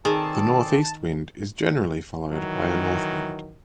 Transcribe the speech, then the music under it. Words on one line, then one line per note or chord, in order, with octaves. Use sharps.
The northeast wind is generally followed by a north wind.
D#3 C4 G#4 A4 D5 A5
D#3 E3 F#3